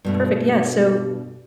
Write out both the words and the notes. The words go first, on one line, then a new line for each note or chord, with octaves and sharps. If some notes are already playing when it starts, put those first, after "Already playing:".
Perfect, yeah, so,
G2 B2 A3